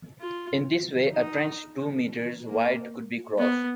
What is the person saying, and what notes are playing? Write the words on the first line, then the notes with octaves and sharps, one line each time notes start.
In this way a trench two metres wide could be crossed.
F4
D#4
A#3
B3